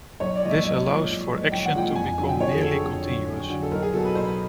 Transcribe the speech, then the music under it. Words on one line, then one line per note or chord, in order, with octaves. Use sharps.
This allows for action to become nearly continuous.
B1 C#5
D5
A#2 F3 G#3 D#5
E5
B1 D#5
A#2 F3 G#3
B1
A#2 F3 G#3
B1 G5
F#5
A#2 F3 G#3 G5
F2 G#5
G#5
D3 F#3 G#5
G5
F2 C#5
G#4
D3 F#3 A4
G#4
F2 A4
D3 F#3
F2
D3 F#3
A4
B1 A#4
G#4
B2 F#3 A4
B4
B1 C5
B4